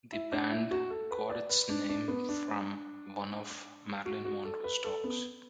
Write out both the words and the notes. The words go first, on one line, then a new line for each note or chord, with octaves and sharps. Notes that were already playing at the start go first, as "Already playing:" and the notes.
The band got its name from one of Marilyn Monroe’s dogs.
E4
D4
E4
F#4
A4
B4
D5
B4
D4
D4
B3
D4
F#4
F#4
A4
B4
A4
B3